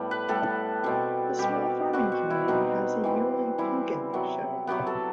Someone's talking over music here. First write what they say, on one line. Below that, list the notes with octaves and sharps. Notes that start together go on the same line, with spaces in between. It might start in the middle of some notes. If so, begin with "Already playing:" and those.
The small farming community has a yearly "Punkin' Show".
Already playing: A2 G3 B3
B4
A2 G3 B3 A4
B2 G3 C4
B2 G3 C4 G4
B2 G3 C4 F#4
F#4
E4
B2 G3 C4 D#4
E3 G3 C4
E3 G3 C4 E4
C3 F#3 B3
C3 F#3 B3 G4
A4